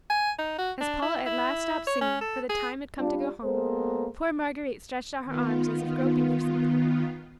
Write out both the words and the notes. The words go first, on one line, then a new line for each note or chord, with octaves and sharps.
As Paula at last stopped singing, for the time had come to go home, poor Marguerite stretched out her arms as if groping for something.
G#5
D#4
F#4
D4
E4
E4
C#5
C#4
A4
G#4
G3 D4 F4
G#3 A#3 B3 A4 A#4 C5
D#3 B3 F4